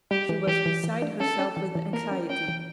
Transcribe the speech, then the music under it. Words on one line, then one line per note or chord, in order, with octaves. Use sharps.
She was beside herself with anxiety.
G3 G4
E3
E3 G4
E3
E3
D4
C#4 A4
C#4
E3
E3
A#3 A#4
C#4
C#4 G5
E3